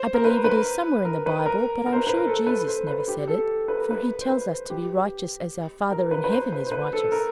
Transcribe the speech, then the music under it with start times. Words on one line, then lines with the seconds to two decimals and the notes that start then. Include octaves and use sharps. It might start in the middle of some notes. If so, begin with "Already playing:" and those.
"I believe it is somewhere in the Bible, but I am sure Jesus never said it, for he tells us to be righteous as our Father in heaven is righteous."
Already playing: C5
0.14 A#4
0.25 B4
0.44 B4
1.05 A#4
1.26 B4
1.46 A#4
1.86 A#4
1.92 C5
1.96 B4
2.07 B4
2.17 A#4
2.27 A4
2.47 B4
2.67 C5
2.87 B4
3.08 G4
3.28 A4
3.68 B4
3.79 A#4
3.91 B4
4.21 C5
4.29 B4
4.70 G4
5.91 A#4
6.11 B4
6.24 B4
6.32 C5
6.52 B4
6.67 C5
6.72 B4
6.93 A4
7.12 A#4